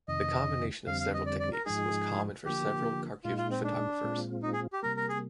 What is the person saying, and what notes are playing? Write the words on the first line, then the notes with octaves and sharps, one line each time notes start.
The combination of several techniques was common for several Kharkiv photographers.
F2 C3 D#3 D#5
F2 D3 G3 C4 F5
F5
D#5
D5
D5
A#4
G#2 F3 G#3 D#4 G#4
D3 F3 A#3 G4
A#2 G#3 D#4 F4
F4
C4
D4
A#2 G#3 C4 F4
D#4
G#4
G4
C3 G3 A#3 A#4
A#4
G#4